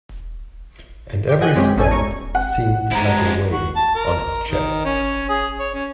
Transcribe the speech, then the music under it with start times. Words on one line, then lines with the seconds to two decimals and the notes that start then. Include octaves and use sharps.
And every step seemed like a weight on his chest.
1.29 G4
1.41 D#5 F#5 G#5 F#6 G6
1.55 F#2 G#3 C4 C#4 G4
1.76 A1 B2 C#4 A4 D5 G#5
1.91 G#2 A#5 C#6
2.35 F#5
2.92 F3 G#3 E4 G4 A#5
3.51 F#4
3.76 A5
3.95 A#4
4.49 D#3
4.85 C#4
5.29 G#4
5.59 C#5
5.74 C#4